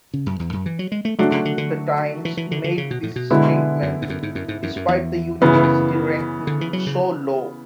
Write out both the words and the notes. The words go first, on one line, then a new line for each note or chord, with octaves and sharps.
The Times made this statement despite the University ranking so low.
C#3
F#2
E2
F#2
E3
F#3
G#3
A3
C#3 F#3 A3 D4 F#4
C#3
D3
D3
E3
E3
D3
D3
C#3
B2
A2
B2
D3 G#3 B3 E4
F#2
G#2
F#2
G#2
F#2
G#2
F#2
F#2
E2
F#2 C#3 E3 B3
G#2
F#2
D3
E3
F#3
C#3